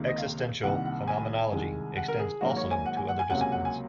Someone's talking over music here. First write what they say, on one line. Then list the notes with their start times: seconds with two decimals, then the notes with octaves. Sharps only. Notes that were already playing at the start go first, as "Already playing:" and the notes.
Existential phenomenology extends also to other disciplines.
Already playing: C#2 C3 D#3 A#3
0.08 D#5
0.18 F5
0.63 C2 C3 D#3 A#3 F#5
0.85 F#5
1.08 G#5
1.52 C2 C3 D#3 G#3
1.97 F#5
2.08 A#4
2.19 G#4
2.41 G#1 G#2 F#3 A#3 F#4
2.57 C#5
2.71 G#5
2.86 F#5
2.97 G#5
3.08 F#5
3.19 G#5
3.30 C#2 C3 F#3 A#3 F#5
3.41 G#5
3.52 F#5
3.65 G#5